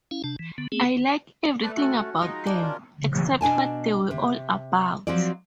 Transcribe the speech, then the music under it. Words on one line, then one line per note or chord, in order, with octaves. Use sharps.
I like everything about them, except what they were all about.
C#4 E4 F5
C3 D4 A5
E3
D3 B3
A3 B3 C4 G#4
A3 B4 D5 A5
C#4 F#4 A4
G#3 D#4 F4 D#5
D4 E4
C#4 F4 A#4
B2 D4 G#5 A5
C3
F3 F#3 C4 F#4 D5